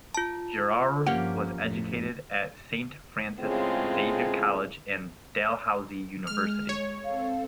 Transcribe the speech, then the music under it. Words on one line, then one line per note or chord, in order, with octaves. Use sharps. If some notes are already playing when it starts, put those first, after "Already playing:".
Girroir was educated at Saint Francis Xavier College and Dalhousie University.
F4 A5
G2 F3 A#3 C#4 G4 F#5
F2 A2
A2 C#3 G#3 C4 F4
G#3 F6
C#5
C4 A4 F5